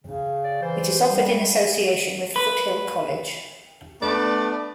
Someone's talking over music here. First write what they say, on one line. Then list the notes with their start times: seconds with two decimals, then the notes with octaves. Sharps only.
It is offered in association with Foothill College.
0.04 C#3
0.44 D5
0.62 E3 C5
1.09 G3
2.36 B4
4.02 A3 B3 D4 D5